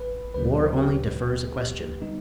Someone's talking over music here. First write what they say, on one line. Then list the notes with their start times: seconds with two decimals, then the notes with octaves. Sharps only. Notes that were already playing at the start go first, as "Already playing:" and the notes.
War only defers a question.
Already playing: A1 B4
0.34 D2 C#3 F#3 A#3 B4
0.77 G4
2.01 D3 G3 B3 D#4